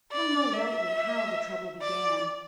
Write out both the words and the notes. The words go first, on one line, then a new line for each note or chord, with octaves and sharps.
I don't know rightly how the trouble began.
D5
E5
D5